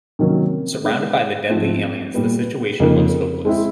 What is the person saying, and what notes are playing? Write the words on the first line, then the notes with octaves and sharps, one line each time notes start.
Surrounded by the deadly aliens, the situation looks hopeless.
C3 D#3 F#3 A#3 C#4
G#3 B3 D4
G#2 F3 A3 C4
A#2 G3 B3
F2 C#3 F3 A#3 D#4
G#3 C4 E4